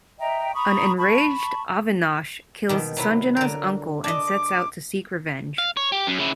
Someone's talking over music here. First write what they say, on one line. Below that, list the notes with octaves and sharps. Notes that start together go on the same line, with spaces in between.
An enraged Avinash kills Sanjana's uncle and sets out to seek revenge.
D#5 E5 G5 A#5
A#5 B5 C#6 D#6
A5 B5 C#6
B2 D#3
C3 F#3 E4
D3 A#4
D4 D#5 D6
F5
C#5
G4
F#2
C#3 E4